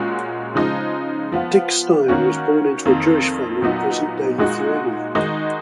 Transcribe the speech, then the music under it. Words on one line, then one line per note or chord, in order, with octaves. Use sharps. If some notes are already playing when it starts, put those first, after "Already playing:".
Dickstein was born into a Jewish family in present-day Lithuania.
Already playing: A#2 G#3 C#4 F#4
C#3 F3 G#3 D#4
F3 B3 F4
D#3 A#3 C#4 F#4
F2 D#3 A#3
A#2 F#3 B3 D#4
A#2 G#3 D#4 F#4
D#3 G#3 D#4 F#4